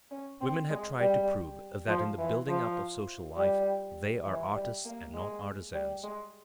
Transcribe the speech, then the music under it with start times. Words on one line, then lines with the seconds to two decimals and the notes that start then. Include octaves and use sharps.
Women have tried to prove that in the building up of social life they are artists and not artisans.
0.11 C#4
0.41 C4
0.70 G#3
0.99 G3
1.88 F3
2.18 E3
2.48 F3
3.37 G3
4.26 E3
4.55 G3
4.85 A#3
5.15 G#3
5.74 G3
6.03 G#3